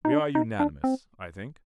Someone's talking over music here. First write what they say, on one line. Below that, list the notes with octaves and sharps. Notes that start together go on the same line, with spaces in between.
We are unanimous, I think.
D#4
D4
D#4
D4
C4